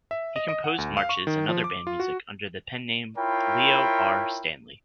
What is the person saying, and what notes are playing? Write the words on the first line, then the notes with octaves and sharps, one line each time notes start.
He composed marches and other band music under the pen name Leo R. Stanley.
E5
D#5
D#5
F#5
D2
F5
C#6
D#3
F3
D6
F4
F#4
E4 F4 A#4 C#5 G5 B5